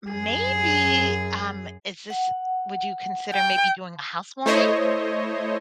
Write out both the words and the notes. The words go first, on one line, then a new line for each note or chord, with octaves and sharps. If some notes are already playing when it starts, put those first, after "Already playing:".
maybe, um is this would you consider maybe doing a housewarming,
F#2 G#4
F#5
G5
A3 E4 C5 C#5 D#5